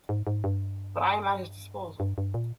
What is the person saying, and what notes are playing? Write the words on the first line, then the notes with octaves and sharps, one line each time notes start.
But I am at his disposal.
G#2
G#2
G2
G2
G2
A#2